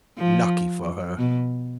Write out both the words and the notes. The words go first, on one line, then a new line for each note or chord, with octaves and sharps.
Lucky for her!
F3
B2